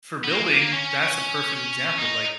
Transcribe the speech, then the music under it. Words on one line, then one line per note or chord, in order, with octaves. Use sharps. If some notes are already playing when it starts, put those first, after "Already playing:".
For building, that's a perfect example, like
B3
A#3
C#4
D#4